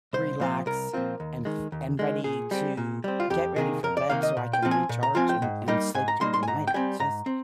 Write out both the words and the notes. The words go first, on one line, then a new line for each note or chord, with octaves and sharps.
relax and f and ready to get ready for bed so I can recharge and and sleep through the night. I just
C2 C5
A#2 F3 C4 F4
C2 A#4
A#2 F3 C4 F4
D#2
D#3 G#3
D#2
D#3 G#3
A#2 G#4
G3 C4
A#2
G3 C4
F4
F2 G4
C3 D#3 A#3 G#4
F2 A#4
D5
C3 D#3 A#3 F5
D#5
A#2
G5
F3 C4 F4
G#5
A#2
A#5
F3 C4 F4 G#5
G5
G#2
G3 A#3 D#4
G#2 G#5
A#5
G3 A#3 D#4 C6
C6
G#5
G#2 A#5
G5
G3 C4 G#5
G#2 A#5
C4